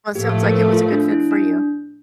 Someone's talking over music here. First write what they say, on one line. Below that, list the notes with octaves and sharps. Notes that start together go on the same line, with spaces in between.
Well, it sounds like it was a good fit for you.
A2 F3 A3 G4
A4
A#4
A4
F4
D4
E4
D4